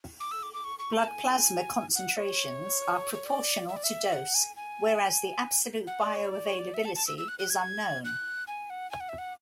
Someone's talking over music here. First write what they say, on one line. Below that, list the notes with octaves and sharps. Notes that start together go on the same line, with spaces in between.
Blood plasma concentrations are proportional to dose, whereas the absolute bioavailability is unknown.
D6
E6
D6
D6
C#6
C#6
A5
G#5
F#5
C#5
C#5
D5
E5
D5
E5
F#5
G#5
G#5
F#5
D5
C#5
D5
C#5
D5
E5
A5
A5
E6
E6
F#6
F#6
G#6
F#6
G#5
F#5
G#5
F#5
E5
F#5